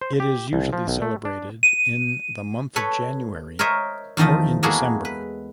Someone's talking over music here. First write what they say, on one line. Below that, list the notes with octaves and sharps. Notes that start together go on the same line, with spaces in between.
It is usually celebrated in the month of January or in December.
C5
G4
C2
F3
B1
A3
D4
D#7
A4 B4 C#5
A#4 C5 C#5 D#5 E5
E2 D#3 F3 A3 D#5
G#3 A#3 E4 F#4 G#4 A4
B4